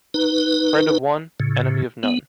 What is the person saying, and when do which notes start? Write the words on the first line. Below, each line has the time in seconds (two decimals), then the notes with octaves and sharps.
Friend of one, enemy of none.
0.14 D#4 B4
1.40 A2 C#3
2.03 B3